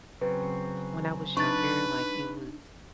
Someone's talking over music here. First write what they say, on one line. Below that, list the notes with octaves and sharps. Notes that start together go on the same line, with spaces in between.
when I was younger, like, it was,
C#3 F#3 C4 B4
D4 D#4 B4 C#6 A6